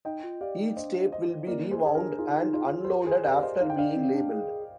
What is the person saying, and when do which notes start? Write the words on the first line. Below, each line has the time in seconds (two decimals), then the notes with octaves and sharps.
Each tape will be rewound and unloaded after being labeled.
0.05 D#4 D#5 G5
0.23 F4
0.41 G4 D5 F5
0.59 D#4
0.76 D4 C5 D#5
1.12 C5 D#5
1.47 A#3 A#4 D5
1.71 G#4 C5
1.83 D4 G#4
1.95 G4 A#4
2.18 D#4 F4 G#4
2.42 D#4
2.54 F4 G#4
2.66 F4
2.85 C5
2.89 G4 A#4
3.07 G#4 C5
3.25 G4 A#4 D5
3.37 F5
3.43 C5 D#5
3.60 D#4 F5
3.70 G5
3.78 D4 D5 F5
3.96 C4
4.14 D4
4.32 G#4